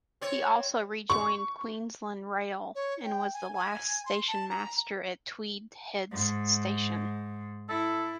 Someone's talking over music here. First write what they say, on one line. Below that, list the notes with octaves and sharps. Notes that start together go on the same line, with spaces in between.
He also rejoined Queensland Rail and was the last stationmaster at Tweed Heads station.
C4 C#5
C#6
C#5
G5
G#5
G#5
C6
A5
A#5
G#2
E4 A4